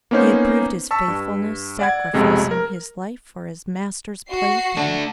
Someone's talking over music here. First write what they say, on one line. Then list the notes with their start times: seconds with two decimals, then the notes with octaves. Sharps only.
He had proved his faithfulness, sacrificing his life for his master's play-thing.
0.11 A#3 B3 C#4 D#4 C5
0.91 A5 C#6 E6 B6
1.08 G2
1.79 D5 F#5 G#6
2.13 B1 F2 C3 G#3 A3
2.51 A#4
4.28 F#4 C7
4.77 A3 D4